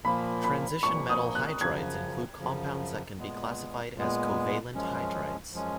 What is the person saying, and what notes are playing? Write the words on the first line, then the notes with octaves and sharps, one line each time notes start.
Transition metal hydrides include compounds that can be classified as "covalent hydrides".
A#2 F3 A#3 B5
B5
A#2 F3 A#3 C#6
D#6
F#6
F#2 C#3 F3 G#6
F#2 C#3 F3
A#2 G#3 B3
A#2 G#3 B3
F#2 F3 G#3 C#4
F#2 F3 G#3 C#4